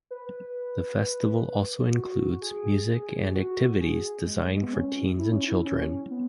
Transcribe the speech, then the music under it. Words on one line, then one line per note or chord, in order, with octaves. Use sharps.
The Festival also includes music and activities designed for teens and children.
B4
F#4
G#4
G#4
F#4
G#4
G#3
G#3
B3
C#4
E4
C#4
E4
C#4
B3